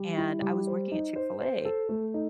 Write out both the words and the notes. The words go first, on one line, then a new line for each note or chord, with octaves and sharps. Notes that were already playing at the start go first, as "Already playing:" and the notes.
and I was working at Chick-fil-A,
Already playing: G3
E4
G3
C5
D#4
C5
C5
A4
A3
D#4